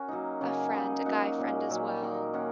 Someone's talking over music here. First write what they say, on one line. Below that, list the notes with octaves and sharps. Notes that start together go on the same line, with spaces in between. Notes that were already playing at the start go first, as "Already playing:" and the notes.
a friend a guy friend as well
Already playing: C#4 F#4 A#4 C#5
F#3 A#3 D#4
C#3 F#3 A#3 G#5
C#3 A#3 D#4
F#3 A#3 D#4 F#5
A#2 A#3 C#4
A#2 F#3 C#4
D#3 A#3 D#4
D#3 A#3 C#4 F#5